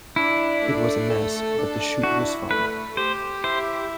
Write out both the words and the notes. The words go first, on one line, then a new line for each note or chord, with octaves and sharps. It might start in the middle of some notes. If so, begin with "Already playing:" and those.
It was a mess, but the shoot was fun.
D4 E4
A3
A4
D4
E4 F#4
A3 B4
G4 C5
E4 C5